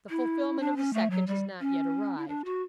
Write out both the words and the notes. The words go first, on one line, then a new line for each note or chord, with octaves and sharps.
The fulfilment of the second has not yet arrived.
E4
D4
C#4
A3
F#3
G3
C#4
E4
D4
F#4